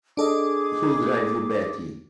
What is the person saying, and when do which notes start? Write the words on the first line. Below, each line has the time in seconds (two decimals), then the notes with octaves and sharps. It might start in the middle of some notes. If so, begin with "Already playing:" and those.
He'll drive you batty!
0.17 D4 G#4 A4 D#5 D6